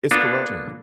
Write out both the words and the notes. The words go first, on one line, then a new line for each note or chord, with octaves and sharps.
it's corruption.
A#3 B3 D4 F4 F#4 A4